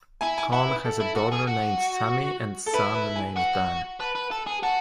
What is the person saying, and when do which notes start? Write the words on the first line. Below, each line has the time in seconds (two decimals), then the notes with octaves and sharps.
Cohn has a daughter named Sammy and a son named Dan.
0.21 E4 G#5
0.38 G#5
0.52 E4 F#5
0.69 B4
0.85 A4
1.01 E4
1.16 F#4
1.32 G#4
1.47 F#4
2.66 A4
2.74 E4 B4
2.94 B4
3.16 G#5
3.37 F#4
4.00 B4 A5
4.15 B4
4.31 A4
4.47 G#4
4.63 F#4 A5